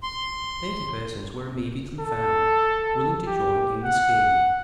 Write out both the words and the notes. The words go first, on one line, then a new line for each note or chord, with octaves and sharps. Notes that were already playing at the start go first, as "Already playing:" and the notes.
Thirty persons were immediately found, willing to join in the scheme.
C6
A4
G4
F#5